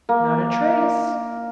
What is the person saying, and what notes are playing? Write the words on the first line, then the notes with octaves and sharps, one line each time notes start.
"Not a trace."
A#3